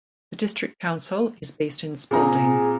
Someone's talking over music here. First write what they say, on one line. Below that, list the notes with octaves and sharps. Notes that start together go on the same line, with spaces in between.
The district council is based in Spalding.
A#2 C4 G#4 A#5